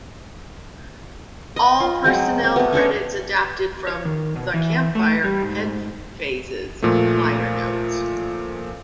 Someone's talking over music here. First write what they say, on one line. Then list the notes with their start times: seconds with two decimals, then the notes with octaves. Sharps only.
All personnel credits adapted from "The Campfire Headphase"s liner notes.
1.56 D#5
1.80 F4
2.04 F#3 G#3 C4
2.44 C4
2.56 A3 B3
2.72 C#4 D4 A4 C#5
3.88 C#5
4.05 D#3
4.36 B2
4.54 E3
4.95 A3
5.24 G3
5.42 G#2
6.82 A#2 F3 A3